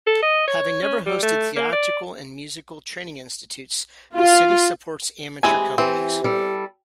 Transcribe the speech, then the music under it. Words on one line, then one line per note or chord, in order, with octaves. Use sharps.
Having never hosted theatrical and musical training institutes, the city supports amateur companies.
A4
D#5
C#5
C#4
G3
A3
A#3
D5
F4
E3 G#3 C4 G4 G#5
E3 C4 G4
G3 A4